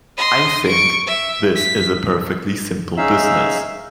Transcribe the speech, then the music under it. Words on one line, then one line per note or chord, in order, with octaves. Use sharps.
I think this is a perfectly simple business.
D#5 C6
C#6 D7
E5
B6
C#4 D#4 G#4 E5 F5 E6